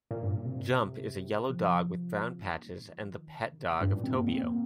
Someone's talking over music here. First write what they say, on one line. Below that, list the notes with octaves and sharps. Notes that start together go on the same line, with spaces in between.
Jump is a yellow dog with brown patches and the pet dog of Tobio.
A#2
G2
A#2
C3
F3
C3
D#3
A#2
G2
D#3
F3
D#3
C3
D#3
C3
A#3
G2
A#2
C4
A#3
C4
A#3